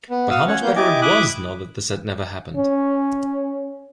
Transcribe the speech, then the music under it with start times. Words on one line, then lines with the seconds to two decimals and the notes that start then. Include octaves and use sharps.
But how much better it was now that this had never happened!
0.10 B3
0.30 F#4 F5 D#6 E6
0.48 C#4 C#5 F#5
0.62 A#3 B3 F4 G6
0.76 E4 G4 D#5 G#5 D6
1.02 E4 E5 D6 D#6 F#6
2.56 C#4